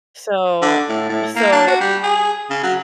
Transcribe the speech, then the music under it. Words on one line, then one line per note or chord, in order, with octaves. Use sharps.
So, so
D3
A2
A2
A#3
D4
F#4
G3
G#4
C#3
F#3